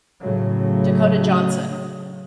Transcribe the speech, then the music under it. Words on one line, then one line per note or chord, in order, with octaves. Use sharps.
Dakota Johnson.
A2 C#3 F#3